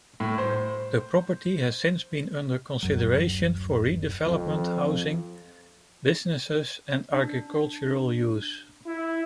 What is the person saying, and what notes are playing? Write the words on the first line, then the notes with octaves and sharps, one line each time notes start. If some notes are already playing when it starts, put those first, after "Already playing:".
The property has since been under consideration for redevelopment housing, business and agricultural use.
A2
C5
D1 F#2 F#3
F2 F3
D4
E4